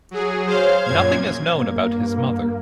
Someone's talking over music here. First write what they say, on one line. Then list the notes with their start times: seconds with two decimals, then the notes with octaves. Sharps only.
Nothing is known about his mother.
0.11 F#3 G#4
0.47 C5 C#5 F5
0.85 F#2 A#2 G#6
1.53 G2 A#3